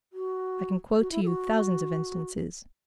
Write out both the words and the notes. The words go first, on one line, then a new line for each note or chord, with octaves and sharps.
I can quote to you thousands of instances....
F#4
F#4
E4
A4
F#4